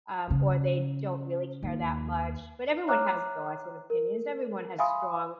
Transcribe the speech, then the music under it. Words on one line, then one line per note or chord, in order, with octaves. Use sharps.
um, or they don't really care that much, but everyone has thoughts and opinions, everyone has strong,
C#3
D#2
C#5 E5 A#5 D6 F6 F#6
A#4
E5 F5 G#5 B5 C6 D#6